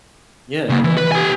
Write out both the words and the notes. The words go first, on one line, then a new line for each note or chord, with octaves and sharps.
Yeah, you're welcome.
C#3 A#3
E3
B4
G4 G#5